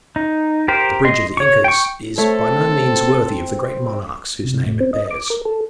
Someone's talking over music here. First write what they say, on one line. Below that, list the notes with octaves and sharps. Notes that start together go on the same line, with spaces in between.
The Bridge of the Incas is by no means worthy of the great monarchs whose name it bears.
D#4
G4 A#4 C5
D#5 C6
C#5 C#6
G5 C#6
A3 C4 A4 C#5
C3
A2
C4
D#5
D6
A#4
A4